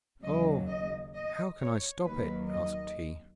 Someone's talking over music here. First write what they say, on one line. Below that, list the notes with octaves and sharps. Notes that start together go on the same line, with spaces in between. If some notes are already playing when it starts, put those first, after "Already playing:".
'Oh, how can I stop it?' asked he.
D#2 C#3 F#3 D#5
D#5
D#5
C#5
D#2 D#3 F#3 B4
D#5